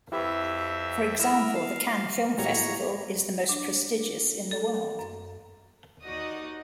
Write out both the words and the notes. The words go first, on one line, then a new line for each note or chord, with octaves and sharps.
For example, the Cannes Film Festival is the most prestigious in the world.
F2 E4 G4 B4 E5
E4 A#4 E6
F5
A2 F#3 G3 C#5 A#5
D4
A4
F#2
D#2 D#4 F#4 D5 D#5 D#6